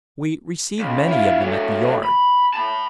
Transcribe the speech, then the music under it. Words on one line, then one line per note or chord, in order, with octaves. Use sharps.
We receive many of them at the Yard.
C#2
E4 F4
F#3 A3
B5
A5 B5